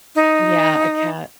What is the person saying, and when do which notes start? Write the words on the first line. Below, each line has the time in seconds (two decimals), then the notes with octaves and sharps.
Yeah, a cat.
0.15 D#4